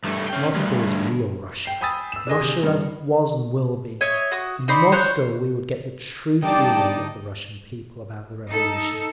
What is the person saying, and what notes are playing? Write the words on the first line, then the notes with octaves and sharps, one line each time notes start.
Moscow is real Russia, Russia as it was and will be; in Moscow we would get the true feeling of the Russian people about the Revolution.
G2 A3
C#4 G5
D2 G2
G5 C7
G5 G#5 B5 D#6 E6 A6
E6 E7
D4 G#4 D#5 G#5
C3 G#4
G2
C#5 D#5 E5
F#4 D#6
D#4 C5 D5 B5
C5 C#5 F#6 G6
D3 G3 D#4 D5 G5 A5 D6
D#4 A4